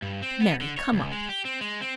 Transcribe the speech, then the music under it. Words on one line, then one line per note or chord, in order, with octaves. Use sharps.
Marry, come up!
G2
C4
B3
D3
C#5
C#2
G#3
G4
C4
G#3
C4